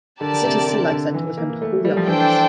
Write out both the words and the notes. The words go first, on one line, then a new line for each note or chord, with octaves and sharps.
The city's Sea Life Centre was home to Paul the Octopus.
D3 G4 A#4 D5 A5
C3
D3
D3
E3
A#3
A3
G3
F3
E3 D4 A4 C5 G5